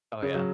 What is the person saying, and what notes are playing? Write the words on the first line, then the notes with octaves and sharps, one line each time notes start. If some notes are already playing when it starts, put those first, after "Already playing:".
Oh, yeah.
C#3
F#3